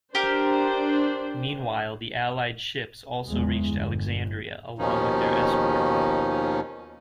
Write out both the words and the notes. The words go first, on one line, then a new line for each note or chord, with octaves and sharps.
Meanwhile, the Allied ships also reached Alexandria along with their escort.
D4 G4 A#4 C5
F#1 E2 G#3
G1
D#2 B2 D#3 F3 C#4 D#4